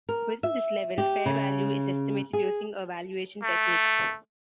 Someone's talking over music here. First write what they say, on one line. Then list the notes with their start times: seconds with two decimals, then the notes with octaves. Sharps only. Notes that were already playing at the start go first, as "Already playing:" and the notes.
Within this level, fair value is estimated using a valuation technique.
0.09 A#4
0.43 E5
0.98 G4
1.26 C#3
2.33 G#4
3.43 A3